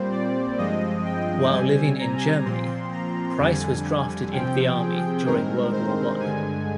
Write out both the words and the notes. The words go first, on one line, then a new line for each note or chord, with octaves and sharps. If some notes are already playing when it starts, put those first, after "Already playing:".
While living in Germany, Price was drafted into the army during World War One.
Already playing: A#2 G3 C4 C5
D5
G2 F3 G#3 C4 D#5
G5
C3 G3 C4 G#5
A#5
A#2 F3 C4 C6
A#5
F2 D3 G3 G#5
C3 F3 C4 G5
G#4
G2 D#3 G#3 C4 A#4
C5
G2 D3 G#3 G#5